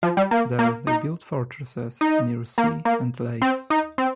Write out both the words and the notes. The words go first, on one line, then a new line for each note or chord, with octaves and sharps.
There, they built fortresses near sea and lakes.
F3
G3
A#3
A#3
D#4
D#4
A#3
A#3
C4
D#4
C4